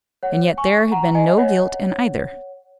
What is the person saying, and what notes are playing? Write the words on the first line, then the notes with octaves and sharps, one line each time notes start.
And yet there had been no guilt in either.
C#5 F#5
G#5 C#6
F#5 A#5
D#5 G#5
C#5 F#5